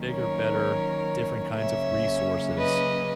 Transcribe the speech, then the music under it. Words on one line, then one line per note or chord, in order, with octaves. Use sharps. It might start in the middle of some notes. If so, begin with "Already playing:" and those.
bigger, better, different kinds of resources
Already playing: D#3 F#3 A#3 C#4
A#4 C#5
C#3 F#3 A#3 C#4 C#5 E5
B4 D#5